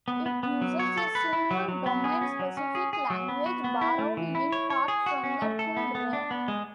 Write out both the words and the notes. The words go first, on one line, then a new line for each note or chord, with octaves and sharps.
It uses a simple domain-specific language borrowed in part from the tool Rake.
B3
B3
B3
F#3
C#5
A4
B4
E4
F#3
F#3
B3
G#4
C#4
F#3
C#4
G#4
G#4
F#3
B3
F#4
B3
E4
A3
E3
E4
C#5
C#5
G#4
F#4
C#4
A3
A4
B3
B3
D4
B3
G#3